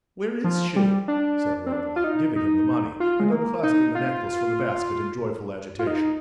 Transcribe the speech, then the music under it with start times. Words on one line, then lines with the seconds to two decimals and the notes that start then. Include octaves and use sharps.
"Where is she?" said Romola, giving him the money, and unclasping the necklace from the basket in joyful agitation.
0.44 F3
0.76 G3
1.08 D4
1.66 C4
1.72 D4
1.96 F4
2.04 D#4
2.36 D#4
3.00 F4
3.20 G#3
3.31 A#3
3.63 D#4
3.95 F4
5.79 F4
5.87 D#4